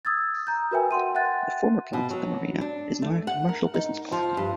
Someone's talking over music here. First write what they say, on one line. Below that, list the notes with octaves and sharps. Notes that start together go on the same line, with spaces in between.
The former plant at the Marina is now a commercial business park.
D#6 E6 G#6 A6
A#5 G6
F#4 A#4 B4 E5 G5 G#5
F#5 G5 C6 D#7
E5 F#5 G5 F#6 A6
B2
F#3
D4
A3
F#5
A#4
D#4
F3
G2